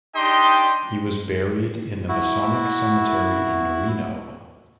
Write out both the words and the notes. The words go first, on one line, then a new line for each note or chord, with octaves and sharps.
He was buried in the Masonic Cemetery in Reno.
D4 D#4 G4 D#5 G5 C6
E4 F#4